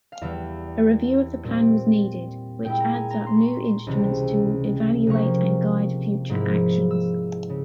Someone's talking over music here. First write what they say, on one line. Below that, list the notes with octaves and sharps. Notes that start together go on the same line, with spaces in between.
A review of the Plan was needed, which adds up new instruments to evaluate and guide future actions.
F5
E2 E3 G3 E5
A#2 G3 C4
A#2 G#3 E4 G5
A#5
G#5
A#5
C6
C#6
C6
C#2 C3 E3 G3
C3 F3 A#3 C#6
G#2 F3 A#3 E4
E6
C#3